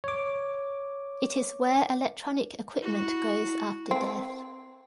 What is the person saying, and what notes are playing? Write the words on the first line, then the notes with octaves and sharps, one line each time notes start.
It is where electronic equipment goes after death.
C#5 D6
E4 F#4
C4